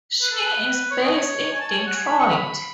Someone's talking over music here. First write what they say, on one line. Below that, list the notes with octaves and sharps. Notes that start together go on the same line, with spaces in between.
She is based in Detroit.
B4
A4
B4
C#5
D#5
C#5
G#5
A5
G#5
C#5
F#5
G#5
B5
C#6
B5